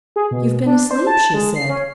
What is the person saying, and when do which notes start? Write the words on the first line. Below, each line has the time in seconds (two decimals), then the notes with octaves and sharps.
"You've been asleep," she said.
0.16 G#4
0.31 B2
0.66 D4
0.91 C5
1.07 A5
1.34 G#3
1.56 C7
1.70 C#4